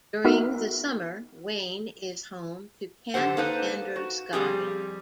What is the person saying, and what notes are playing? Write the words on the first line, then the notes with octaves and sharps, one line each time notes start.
During the summer, Wayne is home to Camp Androscoggin.
B3 D#4 F#4 A#4 E5
F#2 D3 G4 A4 C5 F#5
A#3 D#4 A4 B4 C5
F#4
F2 G3 C4 G4 G#4